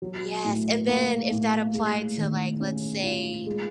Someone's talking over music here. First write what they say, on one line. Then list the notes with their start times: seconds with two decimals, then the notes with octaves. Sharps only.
yes, and then if that applied to like, let's say,
0.02 F#3
0.45 A2
0.88 A#3
1.31 A2
1.74 G#3
2.17 D#3
2.60 C#4
3.03 F4
3.46 G#3